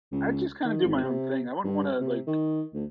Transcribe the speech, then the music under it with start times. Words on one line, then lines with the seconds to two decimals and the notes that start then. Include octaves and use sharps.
I just kinda do my own thing. I wouldn't wanna, like
0.12 C#2
0.65 D#3
0.84 G#1
1.03 C3
1.64 G2
2.00 C3
2.27 D#3
2.74 D2